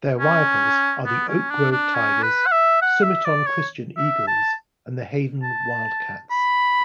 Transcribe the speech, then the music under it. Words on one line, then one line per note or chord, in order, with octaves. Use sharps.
Their rivals are the Oak Grove Tigers, Sumiton Christian Eagles, and the Hayden Wildcats.
C#4
B3
C#4
D4
D4
C#4
B4
F#5
E5
F#5
E5
D5
C#5
E5
A5
A5
B5